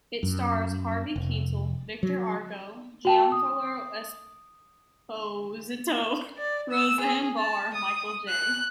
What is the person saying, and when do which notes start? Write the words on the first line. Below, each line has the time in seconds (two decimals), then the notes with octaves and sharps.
It stars Harvey Keitel, Victor Argo, Giancarlo Esposito, Roseanne Barr, Michael J.
0.23 F#2
1.16 F1
2.03 F#3
3.05 F#4 G5 A5
3.32 D#6
6.38 D5
6.71 E6
7.01 G#4
7.38 A5
7.74 D#6
8.28 F#6